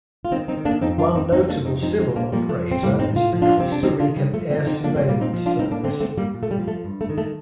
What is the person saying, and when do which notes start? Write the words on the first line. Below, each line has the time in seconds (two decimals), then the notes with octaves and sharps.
One notable civil operator is the Costa Rican Air Surveillance Service.
0.25 F4
0.32 D#3 C4 D#4
0.48 C4 D#4
0.57 D#3
0.65 A#3 D4
0.81 F2 C4 D#4
0.98 D4 F4
1.07 F2
1.15 C4 D#4
1.32 F2 C4 D#4
1.49 A#3 D4
1.58 F2
1.65 C4 D#4
1.82 F3 C4 D#4
1.99 C4 D#4
2.07 A#2
2.16 A#3 D4
2.32 F3 G3 A#3
2.49 A3
2.58 F2
2.71 C4
2.83 A2 G3 A#3
2.99 C4 D#4
3.08 A2
3.16 F4
3.33 F3
3.42 D4 F4
3.58 C3 C4
3.72 D4
3.83 D#3 C4 D#4
4.00 D4 F4
4.08 D#3
4.17 G3
4.33 F3 A3
4.50 A3 C4
4.59 D3
4.66 C4 D#4
4.83 F3 A#3 D4
4.96 A3 C4
5.09 A#2 G3 A#3
5.21 C4 D#4
5.33 F3
5.46 D4 F4
5.59 A2 C4 D#4
5.71 A#3 D4
5.84 D3 A3 C4
6.00 A3 C4
6.09 D3
6.18 G3 A#3
6.34 A#2
6.43 A3
6.51 G3
6.59 F3
6.68 A3
6.84 G2
7.01 A3
7.10 D#3
7.18 A3